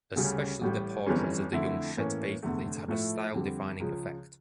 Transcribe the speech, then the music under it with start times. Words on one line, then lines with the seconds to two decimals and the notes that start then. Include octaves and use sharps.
Especially the portraits of the young Chet Baker later had a style-defining effect.
0.16 D2 C#3 G3 C#4
0.61 A1 A2 G3
1.06 G1 F2 E3 G3 C#4
1.52 F2 D3 A3 E4
1.97 A2 E3 A#3 C#4
2.43 F1 E2 D3 A3
2.88 A2 F3 A3 E4
3.34 F2 D3 G3
3.80 C#2 C#3 F3